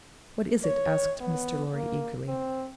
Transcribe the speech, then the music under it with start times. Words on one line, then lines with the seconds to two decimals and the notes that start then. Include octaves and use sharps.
"What is it?" asked Mr. Lorry, eagerly.
0.65 C#5
1.21 B3
1.74 A#3
2.28 C4